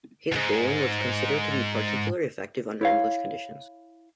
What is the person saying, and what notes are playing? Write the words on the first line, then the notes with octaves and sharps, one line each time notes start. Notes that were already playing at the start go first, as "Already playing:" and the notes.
His bowling was considered to be particularly effective under English conditions.
D#2 G#2
E4 C#5 F5